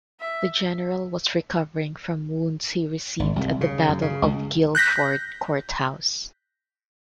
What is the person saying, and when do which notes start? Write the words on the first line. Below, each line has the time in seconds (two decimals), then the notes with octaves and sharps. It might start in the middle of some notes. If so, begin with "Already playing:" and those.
The general was recovering from wounds he received at the Battle of Guilford Courthouse.
0.21 E5
3.19 G#1
3.36 C2
3.61 C#3
3.89 F#2
4.02 C#3
4.22 C#2
4.75 F#6 G6 A#6 B6